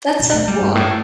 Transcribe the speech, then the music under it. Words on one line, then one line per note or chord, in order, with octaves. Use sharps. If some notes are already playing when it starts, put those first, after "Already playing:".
That's so cool.
B2
A3
G3
G2
A2